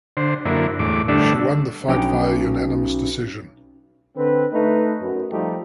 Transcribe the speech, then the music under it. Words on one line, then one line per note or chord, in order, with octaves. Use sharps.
She won the fight via unanimous decision.
D3 C5
F#2 D3 A#3 E4
E2 A2 D6
D3 G3 A3 D4 E6
B1 C#4 D#4 G5 D6 D7
D3 C4 B4
A3 D#4 B4
F#2
F3 G3 A3 D#4 F4 G4